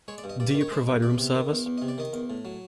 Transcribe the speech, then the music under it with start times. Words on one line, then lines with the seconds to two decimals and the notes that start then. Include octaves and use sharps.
Do you provide room service?
0.08 G#3 C#5
0.18 D5
0.24 G2
0.29 D#5
0.40 G2 D5
0.51 D5
0.55 D#3
0.61 C#5
0.71 G#3 C5
0.88 G2
1.02 E2 D5
1.18 C3
1.35 D#3
1.51 E2
1.66 E2
1.78 C3 D#5
1.88 D5
1.98 D#3 D#5
2.13 E2
2.30 A2
2.45 F#3